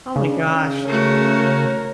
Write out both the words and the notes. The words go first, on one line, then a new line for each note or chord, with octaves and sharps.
Oh my gosh.
C#3 D4
A3 F#4 A#4 C#5